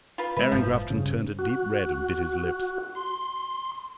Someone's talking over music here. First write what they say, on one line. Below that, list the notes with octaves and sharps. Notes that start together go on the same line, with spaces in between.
Aaron Grafton turned a deep red and bit his lips.
F4 B4
C3 G#3 B4 E5
G1 A2 F3
G2 C#3
F#4
C6